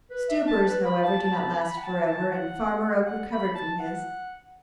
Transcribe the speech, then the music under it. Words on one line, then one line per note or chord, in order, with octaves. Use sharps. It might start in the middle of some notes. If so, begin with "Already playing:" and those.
Stupors, however, do not last for ever, and Farmer Oak recovered from his.
B4
E5
A5
B4
B5
A5
A5
B5
A5
B5
F#5
A5
A5
F#5
F#5
B5
A5
F#5